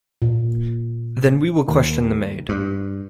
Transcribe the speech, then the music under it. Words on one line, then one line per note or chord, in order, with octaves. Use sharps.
Then we will question the maid.
A#2
D#2
G2